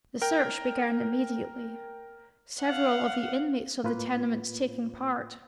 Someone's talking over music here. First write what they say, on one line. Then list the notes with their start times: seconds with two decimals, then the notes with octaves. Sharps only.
The search began immediately, several of the inmates of the tenements taking part.
0.22 A#4 G5
2.62 F5 F#5
3.84 A2 A#3 F4 B4